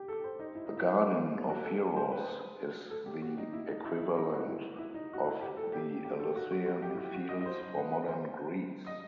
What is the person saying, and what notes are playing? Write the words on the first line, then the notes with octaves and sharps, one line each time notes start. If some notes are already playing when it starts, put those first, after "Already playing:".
The Garden of Heroes is the equivalent of the Elysian Fields for modern Greece.
Already playing: G4
A4
C5
D#4
E4
D#4
E4
E4
F#4
A4
C5
B4
A4
G4
F#4
D#4
E4
D#4
E4
E4
D#4
F#4
E4
E4
D#4
F#4
E4
G4
A4
G4
G4
A4
F#4
F#4
F#4
G4
E4
F#4
F#4
D#5
D#5
C5
C5
B4
B4
C5
D#5